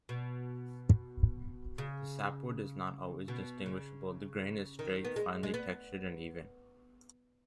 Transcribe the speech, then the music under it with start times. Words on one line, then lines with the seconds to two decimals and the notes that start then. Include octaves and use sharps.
The sapwood is not always distinguishable The grain is straight, finely textured and even.
0.09 B2
1.78 C#3
3.28 B2
3.66 C#3
4.79 D#3
5.05 B3
5.16 G#3
5.43 G#3
5.54 B3